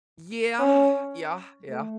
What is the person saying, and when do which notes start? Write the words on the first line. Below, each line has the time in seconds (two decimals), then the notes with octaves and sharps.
Yeah. Yeah. Yeah.
0.59 C#4
1.68 A3